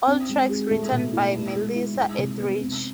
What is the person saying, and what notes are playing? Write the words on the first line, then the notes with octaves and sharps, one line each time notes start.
All tracks written by Melissa Etheridge.
C4
G#3
G#4
A3
B2
E4
B3
G#3
E4
G#3
C3
B3
C4